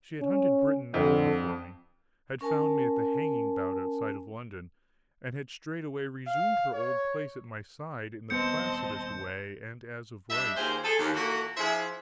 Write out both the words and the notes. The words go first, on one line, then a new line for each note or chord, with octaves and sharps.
She had hunted Britain over for me; had found me at the hanging-bout outside of London, and had straightway resumed her old place at my side in the placidest way and as of right.
C#4
F2 D3
C#4 A#4 G#5 A5
F5
C#5
D#1 B3 C4 D#5 A5 G6 C#7
G3 D4 D#5 E5
D#2 A#3 F4 G4 G#4 C5
G#4 A4
D#2
A#2 E3 A#3 F#4 A4
F3 D4 E4 G#4 C5 E5